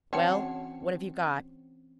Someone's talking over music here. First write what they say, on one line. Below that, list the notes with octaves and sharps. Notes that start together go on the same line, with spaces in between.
"Well, what have you got?"
E3 C4 C#4 F#4 C#5 F#5 G5 A5